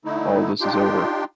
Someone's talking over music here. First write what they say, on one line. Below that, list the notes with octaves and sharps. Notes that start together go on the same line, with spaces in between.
all this is over,
D3 A3 D#4 E4
D4 D#4 F4 G4 G5 C6